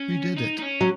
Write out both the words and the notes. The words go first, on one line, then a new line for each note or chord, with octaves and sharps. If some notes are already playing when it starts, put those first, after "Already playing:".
Who Did It?
Already playing: C#4
D#4
D#4
C#4
F#3